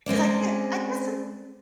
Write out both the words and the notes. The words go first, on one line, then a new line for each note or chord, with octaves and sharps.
'Cause I get I guess it's
G#3 C4 C#4 D5